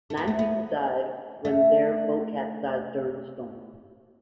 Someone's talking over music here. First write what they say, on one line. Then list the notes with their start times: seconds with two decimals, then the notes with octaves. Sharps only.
Nine people died when their boat capsized during the storm.
0.10 A3
0.17 B3
0.28 A3
0.39 B3
1.45 A3